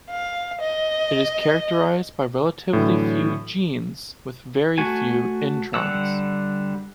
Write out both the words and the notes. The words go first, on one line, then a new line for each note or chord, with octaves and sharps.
It is characterised by relatively few genes with very few introns.
F5
D#5
A2 D3 E3 F#3
A3 F#4 G#5
D3 G3 F#5 E6